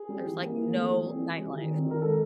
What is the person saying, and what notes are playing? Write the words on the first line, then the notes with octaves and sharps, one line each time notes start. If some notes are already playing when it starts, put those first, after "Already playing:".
There's, like, no nightlife.
Already playing: G#4
G3
E3
A#3
E3
A3
E3
C4
E3
G3
D#3
C4
D#3 A#4
G#3 A4